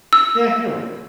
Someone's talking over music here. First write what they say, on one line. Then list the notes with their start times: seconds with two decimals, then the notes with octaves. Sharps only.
yeah, you're right.
0.13 E6